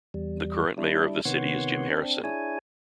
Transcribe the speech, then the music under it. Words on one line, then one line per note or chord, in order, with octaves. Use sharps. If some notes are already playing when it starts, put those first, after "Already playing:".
The current mayor of the city is Jim Harrison.
E2 G3
G3 D4 E4
C3 D#3 B3 C#5 F#5 C6
C4 D4
D4 E4 G#4 C#5 G#5